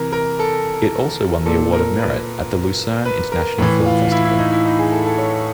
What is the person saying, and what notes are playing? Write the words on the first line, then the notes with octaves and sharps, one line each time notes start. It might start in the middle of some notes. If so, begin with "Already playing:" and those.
It also won the Award of Merit at the Lucerne International Film Festival.
Already playing: C3 E3 A#4
A#4
A4
A#2 A4
A#4
B4
B4
A#4
A2 E3
F4
F4
E4
E4
D#4
E4
D#4
G#4
A4
A4
C#5